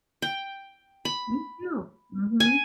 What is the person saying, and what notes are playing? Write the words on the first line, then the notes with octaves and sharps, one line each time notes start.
Me too. Mhm.
G5
B5
G#5